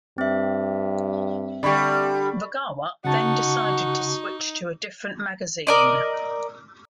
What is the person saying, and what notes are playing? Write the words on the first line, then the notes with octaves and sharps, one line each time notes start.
Ragawa then decided to switch to a different magazine.
G2 C4 E5
D3 G3 D5 B5 C#6
C#3 D#4 F#4 F#5 A5
A#4 D5 D#5